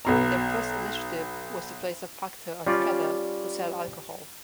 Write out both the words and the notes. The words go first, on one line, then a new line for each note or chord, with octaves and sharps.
Their first initiative was to place a factor at Keta to sell alcohol.
B1 B2 A#5
G3 C#4 F4 D5